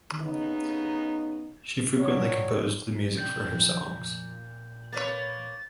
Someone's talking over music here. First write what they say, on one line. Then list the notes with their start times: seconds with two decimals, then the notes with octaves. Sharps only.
She frequently composed the music for her songs.
0.22 C#3 B3 D#4
2.00 F#3 G3 C#5
3.17 A#2 D5 G5 G6
4.92 A#3 B4 C#5 A6